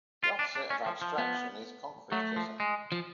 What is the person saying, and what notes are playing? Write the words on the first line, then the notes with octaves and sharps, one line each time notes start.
The opposite of abstraction is concretism.
F4
D4
D4
C#4
F3
F3
B3
F#3 A3
F3
G#3
F3